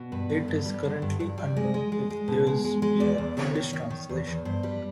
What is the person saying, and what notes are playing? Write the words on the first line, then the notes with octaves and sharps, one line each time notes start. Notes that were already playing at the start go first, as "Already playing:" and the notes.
It is currently unknown if there will be an English translation.
Already playing: B2
G2 B4
D3
G2
G3
D3
G2
G2
G3
G#3 D#5
G#3
G#3
G#3
B2
G#3
G#3
G#3
E2 D5
E2
C3 C#5
D#3
D#3
D#3
E2
E2
G2 C5
G3 B4